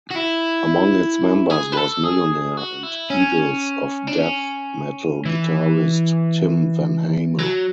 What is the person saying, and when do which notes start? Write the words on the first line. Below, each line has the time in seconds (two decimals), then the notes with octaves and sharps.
Among its members was Millionaire and Eagles of Death Metal guitarist Tim Vanhamel.
0.11 F#4
0.15 E4
1.50 G#4
1.72 B4
1.77 A4
2.04 G#4
2.57 F#4
2.83 E4
3.10 C#4
4.07 D4
4.18 C#4
5.26 E3
7.39 F#3